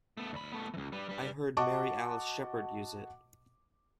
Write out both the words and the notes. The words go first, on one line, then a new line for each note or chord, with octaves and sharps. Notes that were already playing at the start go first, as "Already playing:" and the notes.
I heard Mary Alice Sheppard use it.
A3 B3
D2 B5
A3 B3
C#2 E3
G3 B4
G3 B4
F#4 D#5 F#5 A5 C#6 D6